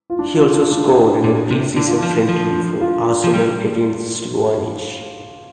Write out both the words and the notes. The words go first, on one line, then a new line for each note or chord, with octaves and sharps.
He also scored in a pre-season friendly for Arsenal against Stevenage.
F4
D4
F4
D4
D4
A#2
C3
D3 D4
F4
F3 D4
F3
F4
F3
G3